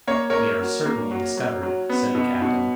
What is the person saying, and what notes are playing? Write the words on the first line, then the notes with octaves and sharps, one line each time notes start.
"We are certainly discovered," said the captain.
A#3 C#5
A#3 A#4 C#5
F#3
A#3
F#3
F#3
F#3
B3
B2
B2